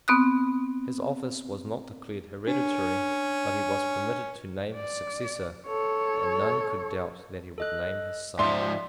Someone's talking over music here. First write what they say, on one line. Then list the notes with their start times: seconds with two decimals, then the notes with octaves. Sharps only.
His office was not declared hereditary: but he was permitted to name his successor; and none could doubt that he would name his Son.
0.08 B3 C4 D#6 F#6
2.47 C#4 D4
4.75 D5
5.66 A4 C#5
7.58 A4 D#5 F#6
8.39 G#2 F3 D5 E5 C6